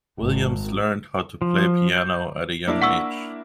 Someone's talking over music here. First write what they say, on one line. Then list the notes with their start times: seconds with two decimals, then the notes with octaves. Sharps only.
Williams learned how to play piano at a young age.
0.20 G#1
1.42 F3
1.97 G6
2.68 A#3 D4 E4
2.82 F#5 C#6 E6